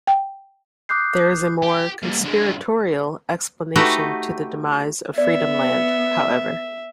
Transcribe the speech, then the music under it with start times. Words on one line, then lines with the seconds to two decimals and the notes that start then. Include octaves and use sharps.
There is a more conspiratorial explanation to the demise of Freedomland, however.
0.07 G5
0.89 D6 D#6 F#6 G6 C7
1.63 G4
2.03 A#2 G3
2.24 D3 G#3
3.76 A3 D#4 F#4 G4 B4
5.18 B3 D5 E5